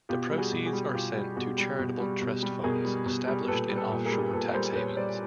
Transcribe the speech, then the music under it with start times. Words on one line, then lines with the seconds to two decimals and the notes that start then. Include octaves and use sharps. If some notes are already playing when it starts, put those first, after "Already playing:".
The proceeds are sent to charitable trust funds established in off shore tax havens.
0.09 B2 F4 G4
0.31 G3
0.38 F#4 G#4
0.52 B2
0.66 F#4 G#4
0.73 G3
0.94 B2 F4 G4
1.16 G3
1.36 B2 F#4 G#4
1.58 G3
1.79 B2
2.00 G3
2.21 B2
2.43 G3
2.63 B2 G#4 A#4
2.85 G3
3.06 B2
3.27 G3
3.48 A#2 A4 B4
3.69 G3
3.76 A4 B4
3.91 A#2
4.05 G#4 A#4
4.12 G3
4.33 A#2 A4 B4
4.54 G3 A#4 C5
4.75 A#2 B4 C#5
4.97 G3 C5 D5